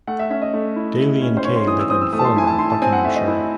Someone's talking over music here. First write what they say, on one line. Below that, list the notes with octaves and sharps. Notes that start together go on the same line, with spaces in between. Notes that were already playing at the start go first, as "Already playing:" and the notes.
Daly and Kay live in Fulmer, Buckinghamshire.
A3 F#5
E5
C#4 E5
D#5
A3
E4
E4
C#4
C5
C#4 C#5
C6
E3 D#6
E6
C4 D#6
E6
A3 D#6
A5
C6
E4 G#5
A5
E4 C6
A5
C4 G#5
F#5
A3 E5
D#5
E4